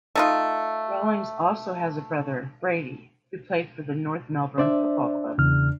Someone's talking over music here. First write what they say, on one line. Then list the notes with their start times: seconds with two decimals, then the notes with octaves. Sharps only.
Rawlings also has a brother, Brady, who played for the North Melbourne Football Club.
0.15 A3 D#4 F4
4.58 D4 C5 D5 E5
5.38 E2 C#3 F6